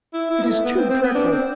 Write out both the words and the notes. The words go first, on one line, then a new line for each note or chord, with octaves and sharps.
It is too dreadful!
E4
E4
B3
A3
B3
C4
C4
B3
D4
C4